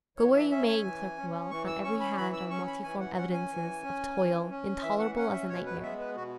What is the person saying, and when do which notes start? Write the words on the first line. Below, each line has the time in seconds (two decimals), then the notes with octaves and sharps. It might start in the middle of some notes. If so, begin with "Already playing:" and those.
Go where you may in Clerkenwell, on every hand are multiform evidences of toil, intolerable as a nightmare.
0.17 E3 C#5
0.34 E5
0.51 C#4 E5
0.67 G#5
0.85 E3
1.17 C#4
1.51 E3 C#6
1.67 E6
1.84 C#4 C#6
2.00 B5
2.17 E3 B5
2.33 E6
2.50 C#4 C#6
2.67 B5
2.84 E3 G#5
3.00 F#5
3.17 C#4 F#5
3.33 G#5
3.50 E3
3.83 C#4
4.16 E3
4.50 C#4
4.83 E3 E5
4.99 F#5
5.16 C#4 F#5
5.33 E5
5.49 B2 C#5
5.66 B4
5.82 G#3 B3 E5
5.99 B4
6.16 B2 F#4